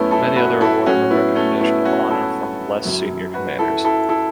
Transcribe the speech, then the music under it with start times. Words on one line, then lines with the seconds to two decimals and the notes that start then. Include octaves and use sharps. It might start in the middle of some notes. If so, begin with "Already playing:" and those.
Many other awarded with recommendation of honor from less senior commanders.
Already playing: F#2 A3 B3 C#4 E4
0.11 E4 A4
0.36 F#4 B4
0.61 E4 A4
0.86 A2 F#3 C#4 F#4
1.10 B3 E4
1.35 A3 C#4
1.61 B3 E4
1.85 C#4 F#4
2.10 E4 A4
2.85 F#2 F#3
3.34 F#4 B4
3.59 E4 A4
3.84 E4 A4
4.09 E4 A4